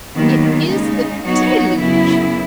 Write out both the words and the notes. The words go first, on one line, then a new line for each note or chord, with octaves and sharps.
"It is the deluge!"
D#2 D#3 F#3 B3
C#3 G#3 D#4
F#3 B3 D#4 F#4 C#5
F#2 C#3 F#3 B3 E4